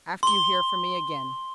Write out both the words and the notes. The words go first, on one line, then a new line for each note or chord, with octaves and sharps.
After you hear from me again.
C6 G7